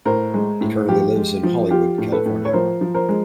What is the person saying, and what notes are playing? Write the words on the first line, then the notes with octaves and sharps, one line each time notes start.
He currently lives in Hollywood, California.
A2 A#4 C5
G#3
A2
F3 F4 G4
G#3
F3
F3 F4 G4
A2
A4 B4
A2
C#5
F3 A#4 C5
F3
A#4 C5
G#3